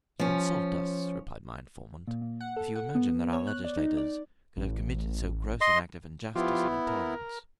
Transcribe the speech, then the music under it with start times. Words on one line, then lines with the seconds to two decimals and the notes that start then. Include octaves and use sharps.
"You insult us," replied my informant, "if you imagine that our legislators could have committed so gross an act of injustice and intolerance."
0.20 F3 C#4
2.07 A#2
2.21 A#2
2.41 F#5
2.56 A4
2.76 F#5
2.95 B3
3.33 C#5
3.47 F#6
3.64 D5
3.77 D#4
3.97 D5
4.57 A1
5.61 D#5 C6
6.36 F3 B3 E4 F4 G4
6.87 A#4